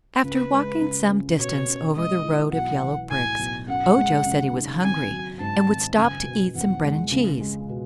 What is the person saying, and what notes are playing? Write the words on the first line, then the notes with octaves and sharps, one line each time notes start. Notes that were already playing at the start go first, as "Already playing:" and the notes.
After walking some distance over the road of yellow bricks Ojo said he was hungry and would stop to eat some bread and cheese.
C#2 B4
G#3
C#3
C#4
B2 C#5
C#4
G#3 D#5
E4
B1 F#5
E3
A2 G#5
B1
F#2 F#5
G#3
C#3
D#4
G#1 G#5
F#3
G#2 A5
G#1
F#1 G#5
B2
E2 F#5
G#3
C#2
G#3
B2